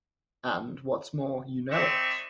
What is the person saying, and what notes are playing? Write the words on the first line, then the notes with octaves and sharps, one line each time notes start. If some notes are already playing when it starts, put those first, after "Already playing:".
And, what's more, you know it.
G#3 C4 D#4 D5 E5 C#6